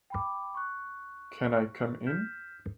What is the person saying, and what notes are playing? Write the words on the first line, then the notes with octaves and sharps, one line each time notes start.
Can I come in?
G5 B5 D6
C#6 F#6
F6 G6 B6 E7